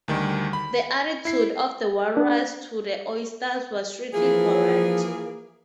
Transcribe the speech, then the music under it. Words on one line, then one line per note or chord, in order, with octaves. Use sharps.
The attitude of the walrus to the oysters was strictly correct.
D2 D#3 G3
B5
E4 C7
D4
E3 F3 A#3 G#4